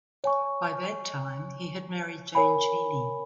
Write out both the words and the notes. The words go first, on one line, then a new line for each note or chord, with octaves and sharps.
By that time, he had married Jane Cheney.
C#5 G#5 C#6
A#4 C#5 G#5 B5